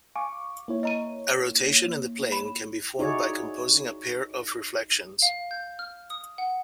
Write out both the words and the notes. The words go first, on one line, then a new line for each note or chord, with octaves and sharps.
A rotation in the plane can be formed by composing a pair of reflections.
F5 G#5 C#6 D6
A#3 E4 C#5
D#5 A#5 D#7
B5 E7
D#4 E4 F#4 G#4 C#5 D5
F5
G6
F6
D#6
F#5